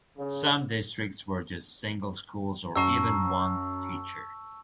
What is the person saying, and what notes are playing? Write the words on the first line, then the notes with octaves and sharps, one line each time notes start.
Some districts were just single schools or even one teacher.
C#3
F#2 A5 A#5 C#6 E6 C7